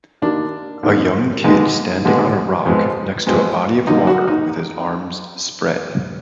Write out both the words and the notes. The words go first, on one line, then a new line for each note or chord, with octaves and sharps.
A young kid standing on a rock next to a body of water with his arms spread.
D#2 D#3 A#3 D4
D#2 D#3 A#3
D#2 D3 G#3 B3 D#4
D#2 D3 G#3 B3
F2 F3 G#3 B3
F2 F3 G#3 B3
D#2 D3 F#3 A#3 D#4
F#4
D#4